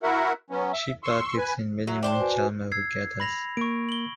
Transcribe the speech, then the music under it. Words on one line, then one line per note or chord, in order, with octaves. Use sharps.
She partakes in many windjammer regattas.
E4 F#4 A#4 E5 F#5
F#3 B3 C#4
E5
C6 C#6 E6
B4 G#5
F#3 E5
D4 C5 G5 A5
F#4 B4 G#5
E6 G#6 C7
B5 A#6 F7
A#3 C#6 D7
F#7 G7